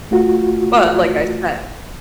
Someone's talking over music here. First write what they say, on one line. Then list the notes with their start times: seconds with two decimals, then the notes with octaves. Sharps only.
But like I said,
0.11 A3 F4 F#4